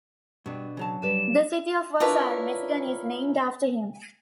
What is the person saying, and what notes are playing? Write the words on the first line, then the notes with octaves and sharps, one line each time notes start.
The city of Vassar, Michigan is named after him.
G2 B2 D4
C#3 F#3 A5
G3 B4 D5 E7
D4 E4 F4 A#4 B4 C#5